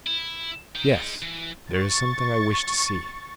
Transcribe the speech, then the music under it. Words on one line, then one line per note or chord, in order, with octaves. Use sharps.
"Yes, there is something I wish to see."
E4
D#4 G5
G#3 D#4
E3
C#6 A6